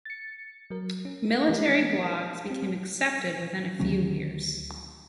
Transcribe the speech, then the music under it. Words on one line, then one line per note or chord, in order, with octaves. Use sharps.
Military blogs became accepted within a few years.
A6 C#7
F#3 A#4
C#4
E3 G#3 E4 G4 A#4
C4 G4
D2 D#3 F#3 C#4